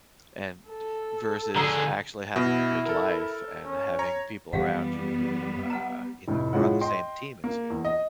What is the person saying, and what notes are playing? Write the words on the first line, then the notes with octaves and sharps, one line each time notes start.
And, eh versus actually having a good life and having people around you who, uh, you know, are on the same team as you?
A4
D3 G#4 A#5 E6
B2 E4
A4 A#4
C#4
C#5 A#5
F#2 E3 G3 B3 G4 F5 F#5
F#5 A#5
F1 A2
A2 G#3 C#4 F4 F#5
D#5 G5 C6
A#3
E2
D#5